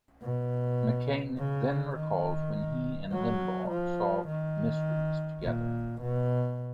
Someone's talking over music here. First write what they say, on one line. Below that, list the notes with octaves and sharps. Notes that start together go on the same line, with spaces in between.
McCain then recalls when he and Limbaugh solved mysteries together.
B2
C#3
D#3
F#3
F3
D#3
A#2
B2